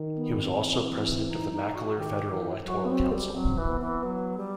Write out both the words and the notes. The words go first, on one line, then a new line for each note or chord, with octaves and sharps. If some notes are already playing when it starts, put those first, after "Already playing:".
He was also President of the Mackellar Federal Electoral Council.
Already playing: D#3
B3
C4
E3
D#4
D#4
F#4
D#3 G4
E3
F#3 F#4
B3
C4
G3
F#3 C4
E3
B3
E3
F#3
G3